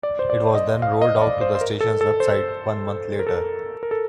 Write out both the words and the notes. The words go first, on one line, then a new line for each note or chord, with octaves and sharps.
It was then rolled out to the station's website one month later.
D5
C5
D5
D#5
F5
D#5
D5
C5
C5
A#4
A4
A4
C5
A#4
A4
A#4
A#4
A4